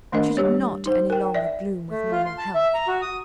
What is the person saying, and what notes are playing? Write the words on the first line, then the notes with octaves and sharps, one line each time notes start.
She did not any longer bloom with normal health.
D#3 A3 D4 A#4 D#5
G3 G4 C#5
D#4 C5
A#4 G5
D5 E5
A3
F4
C6
A5
E5
A#5
F#4
D#6